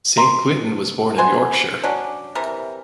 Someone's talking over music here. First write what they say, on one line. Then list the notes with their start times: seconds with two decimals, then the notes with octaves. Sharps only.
St Quinton was born in Yorkshire.
0.17 A#5 C6
1.18 B3 D4 C5 G#5
1.84 F#3 C#4 D4
2.35 C3 E3 G3 A#4